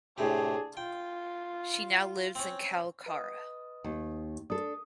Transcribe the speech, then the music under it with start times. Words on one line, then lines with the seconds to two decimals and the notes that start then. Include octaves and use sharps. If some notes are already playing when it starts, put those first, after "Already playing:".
She now lives in Kalkara.
0.18 A2 C3 D4 G4 G#4
0.77 F4 G5
2.35 C4 C#4
3.06 B4 D#5 D#6
3.84 D#2
4.50 D4 A4 D#6